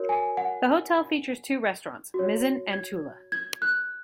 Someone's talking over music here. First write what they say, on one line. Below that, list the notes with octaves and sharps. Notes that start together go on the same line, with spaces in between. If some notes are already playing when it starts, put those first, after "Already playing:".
The hotel features two restaurants, Mizzen and Toula.
Already playing: F#4 A#4 C#5
G#5
F#5
F#4 C#5
G#6
G#6
F#6